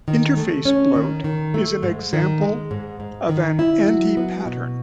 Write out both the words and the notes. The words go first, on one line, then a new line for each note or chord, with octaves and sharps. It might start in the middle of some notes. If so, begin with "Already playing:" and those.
Interface bloat is an example of an anti-pattern.
D#3
A3
C#4
D#3
D#3
A3
G#2
D#3
G#3
G#2
G#2
D#3
E4
F#3
B3
B2